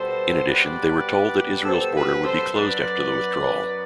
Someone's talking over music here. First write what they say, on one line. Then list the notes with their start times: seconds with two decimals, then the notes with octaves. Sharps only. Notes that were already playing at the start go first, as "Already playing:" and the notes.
In addition, they were told that Israel's border would be closed after the withdrawal.
Already playing: B2 G3 B3 A4 C5
0.46 B4 D5
1.64 A4 C5
1.94 G4 B4
2.23 F#2 F#3 B3 A4 C5
2.53 B4 D5